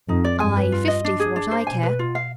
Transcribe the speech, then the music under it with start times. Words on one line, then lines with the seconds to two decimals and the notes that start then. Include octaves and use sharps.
Aye, fifty, for what I care.
0.09 F2 D#4
0.24 D5
0.40 G2 G#5
0.57 B4
0.72 F4
0.88 D#5
1.05 D4
1.20 G#4
1.36 D4
1.51 C5
1.67 B2 G#5
1.83 B4
1.99 F4
2.15 F5